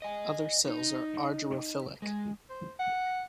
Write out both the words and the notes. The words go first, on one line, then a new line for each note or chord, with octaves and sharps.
Other cells are "argyrophilic".
D#5 G#5
D#4
G#3
C5
F#5